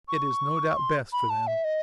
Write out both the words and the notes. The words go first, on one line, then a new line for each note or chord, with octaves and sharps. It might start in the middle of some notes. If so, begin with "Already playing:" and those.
It is no doubt best for them.
C#6
C6
B5
A5
E5
D#5